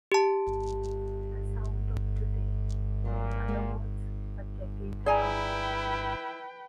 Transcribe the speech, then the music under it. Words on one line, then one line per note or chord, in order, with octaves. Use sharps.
The sound of today, in other words, a decade early.
G4 A5
A#2 F#3
G#3 A#3 F#4
E4 G#4 B4 D5 G5 G#5 A#5